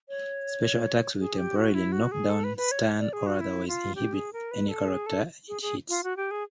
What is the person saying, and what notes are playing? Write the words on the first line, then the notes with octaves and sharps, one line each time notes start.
Special attacks will temporarily knock down, stun, or otherwise inhibit any character it hits.
C#5
G#4
G4
F#4
E4
F#4
G#4
A4
B4
B4
C#5
D5
G#4
F#4
E4
F4
G4
G#4
A#4
B4
A4
G#4
A4
G#4
G#4
F4
F#4
G4
G#4